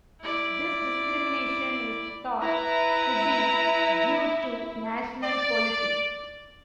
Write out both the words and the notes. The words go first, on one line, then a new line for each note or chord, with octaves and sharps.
This discrimination is thought to be due to national politics.
E4 D5
E4 B4 A#5
D5